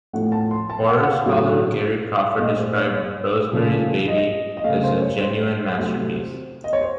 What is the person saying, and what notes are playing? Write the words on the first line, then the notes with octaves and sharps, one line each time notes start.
Horror scholar Gary Crawford described "Rosemary's Baby" as "a genuine masterpiece".
A2 F3 A3 F#5
A5
C6
A5
F#5
F#5
F5
A2 F#3 A3
A#2 A3 D#5
C5
C#5
C#5
C#3 F3 A3
D#5
D#5
C#3 A3 F5
C5
C#5
C5
C3 F#3 A3
D#5
C#5
C5